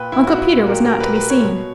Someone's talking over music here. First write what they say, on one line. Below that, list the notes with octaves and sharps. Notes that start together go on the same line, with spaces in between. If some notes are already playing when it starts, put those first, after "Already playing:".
Uncle Peter was not to be seen.
Already playing: A#2 B4 G5
A#2 E4
F#4
E4
A#2 F#4
A#4
G4
A#4
A#2 B4
B4
C#5
B2